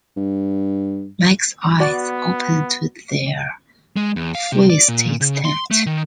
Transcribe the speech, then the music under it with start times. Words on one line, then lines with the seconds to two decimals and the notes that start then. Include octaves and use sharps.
Mike's eyes opened to their fullest extent.
0.17 G2
1.80 B3 F#4 D5
3.96 G#3
4.16 E2
4.35 F5
4.52 C3
4.69 D5
4.88 A#2
5.21 C#3
5.45 C6
5.71 A3
5.86 D#3